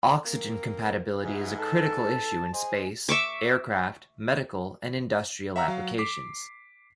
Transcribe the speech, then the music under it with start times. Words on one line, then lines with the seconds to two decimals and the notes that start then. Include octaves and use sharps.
Oxygen compatibility is a critical issue in space, aircraft, medical, and industrial applications.
0.24 A#3 C4 A#4
1.23 G#2 E4 F#4 G#4 B4
1.58 A4 A5
2.53 G#4 C5 D#5 G#5
3.09 E5 C#6 D6
5.56 E5 F#5 A#5 E6
5.68 F#3 F5
5.98 D6 B6 C7